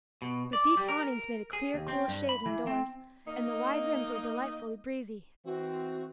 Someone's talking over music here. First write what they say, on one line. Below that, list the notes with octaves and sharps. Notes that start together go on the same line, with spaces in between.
But deep awnings made a clear cool shade indoors, and the wide rooms were delightfully breezy.
B2
D5
G3
A#4
G#4
D#2
C4
G2
B5
E3
C4
A#3 D#4 D#5
E3 C4 F#4